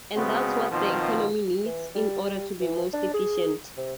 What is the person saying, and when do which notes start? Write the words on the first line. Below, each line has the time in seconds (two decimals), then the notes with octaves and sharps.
And that's what the economy needs in order to be most efficient.
0.15 C#3 G#3 B3 C4 F#4
0.71 B2 D#3 F3 C4 F4
1.66 E3
1.95 G3
2.61 E3
2.93 D4
3.14 G#4
3.77 C3